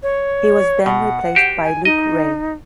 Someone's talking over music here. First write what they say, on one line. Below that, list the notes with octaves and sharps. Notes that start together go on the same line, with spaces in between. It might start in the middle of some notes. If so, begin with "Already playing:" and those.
He was then replaced by Luke Ray.
C#5
B2 F#5
F#4 G4 C5
G#5
D#4 D#5